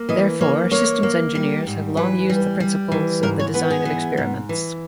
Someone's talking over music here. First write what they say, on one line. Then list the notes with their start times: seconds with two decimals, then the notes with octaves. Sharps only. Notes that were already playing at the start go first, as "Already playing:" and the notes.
Therefore, systems engineers have long used the principles of the design of experiments.
Already playing: A#3
0.09 E3 D#5
0.41 A#3 C#5
0.72 A#3 C#5
1.03 A#3
1.35 G3
1.67 G#2
1.97 E3 B4
2.30 G3
2.60 G3
2.92 E3
3.23 G#2 A#4
3.39 C#5
3.54 B3 B4
3.70 G#4
3.85 E3
4.17 G#2
4.49 E3